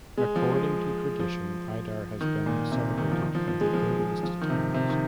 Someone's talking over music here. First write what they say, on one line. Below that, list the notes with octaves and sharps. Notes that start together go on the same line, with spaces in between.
According to tradition Idar has been celebrated from the earliest times.
G#3
F3
G#3
F3
D#3
A#2
C3
D#3
F3
D#3
F3
F3
G#3
F3
G#3
F3
D#3
C3
C3
D#3